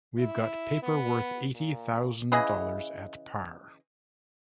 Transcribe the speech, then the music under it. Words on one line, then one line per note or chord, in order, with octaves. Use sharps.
We've got paper worth eighty thousand dollars at par.
E4
B3
A#2
C#3 E3 G#4 D#5